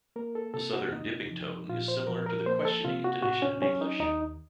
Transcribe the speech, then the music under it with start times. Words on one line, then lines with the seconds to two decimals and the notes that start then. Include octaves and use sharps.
The Southern "dipping" tone is similar to the questioning intonation in English.
0.16 A#3 A#4
0.35 A4
0.54 C3 A4
0.73 F#4
0.92 F#2 D#4
1.31 F3
1.69 A#2 F4
1.88 C5
2.07 F3 A#4
2.26 A#4
2.46 A#3 C5
2.65 A4
2.85 C3 F4
3.04 F#4
3.23 A2 F#4
3.42 C#4
3.62 F#3 C#4
3.81 D#4
4.00 D#2 D#4